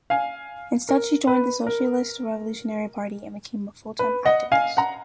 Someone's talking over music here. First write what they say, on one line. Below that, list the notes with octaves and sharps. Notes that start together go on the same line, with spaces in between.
Instead she joined the Socialist-Revolutionary Party, and became a full-time activist.
F5 G#5
A#4
B4
A#4
B4
D#5 F#5
F5 G#5
F#5 A#5